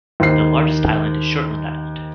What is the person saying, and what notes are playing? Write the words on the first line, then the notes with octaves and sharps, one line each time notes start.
The largest island is Shortland Island.
D#2 C5 C7